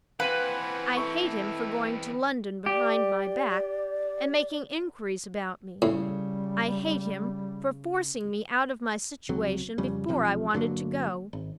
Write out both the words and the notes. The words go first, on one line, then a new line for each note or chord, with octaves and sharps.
I hate him for going to London behind my back, and making inquiries about me. I hate him for forcing me out of my situation before I wanted to go.
E3 C4 B4 C5 F5 F#5 G#5
E4 A4 C#6
G4 D5
A2 C#3 G3
C#2 C3 F#3
F2 C#3 G3
B1 C3 F3
G1 D3 F#3 A#3
G#1